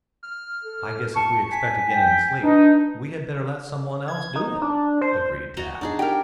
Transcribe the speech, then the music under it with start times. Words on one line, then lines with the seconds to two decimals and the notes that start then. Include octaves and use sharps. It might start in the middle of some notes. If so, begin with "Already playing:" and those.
"I guess if we expect to get any sleep we had better let some one else do it," agreed Tad.
0.23 F6
0.63 A4
1.16 A5 C#6
1.52 G#5 B6
1.89 G5
2.43 D4 D#4 B4
4.08 G#6
4.36 D#4
4.62 D4
5.01 C5
5.57 F#4 D#5 A#5
5.81 D4 D#4 G#4
5.99 G4 A#4 G5